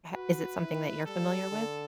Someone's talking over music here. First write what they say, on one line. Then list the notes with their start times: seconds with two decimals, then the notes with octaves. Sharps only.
ha is it something that you're familiar with?
0.14 F#4 B4
0.59 E4
1.05 G3 A4
1.51 D3